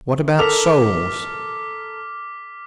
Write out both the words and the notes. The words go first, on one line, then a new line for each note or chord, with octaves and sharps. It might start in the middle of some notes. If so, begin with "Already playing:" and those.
"What about souls?"
A4 A#4 D6 F6 B6 F7